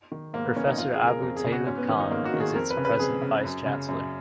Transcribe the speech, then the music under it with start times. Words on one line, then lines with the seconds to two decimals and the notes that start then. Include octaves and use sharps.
Professor Abu Taleb Khan is its present vice chancellor.
0.12 D#3
0.33 G#2 A#3
0.45 B3
0.56 D#3 C#4
0.67 D#4
0.78 F2 F4
0.93 G#4
1.00 C#3
1.07 A#4
1.22 F2 A#4
1.36 G#4
1.44 C#3
1.52 F#4
1.67 G#2 C#4
1.77 B3
1.89 D#3 C#4
2.00 D#4
2.11 G#2 A#3
2.25 F#4
2.34 D#3
2.40 G#4
2.55 F2 A#4
2.70 B4
2.77 C#3
2.85 B4
2.99 F2 G#4
3.22 C#3
3.44 F#2
3.66 C#3
3.88 F#2